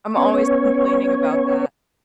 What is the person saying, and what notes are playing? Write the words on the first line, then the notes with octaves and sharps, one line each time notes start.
I'm always complaining about that.
B3 C#4 C#5